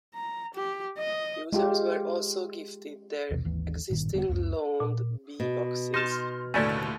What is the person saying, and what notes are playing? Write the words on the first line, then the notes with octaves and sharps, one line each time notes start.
Users were also gifted their existing loaned Be-Boxes.
A#5
G4
D#5
G#3 F4 G4
B1 E2 C3
G#1 D#2 E3
A1 G2 A#2 D#3
E1 D3 G3 B3
C#2 F#2
A#2
B2
D#4 A5 C6 F6
D#2 A2 D3 A3 C#4 E4 D5 G#5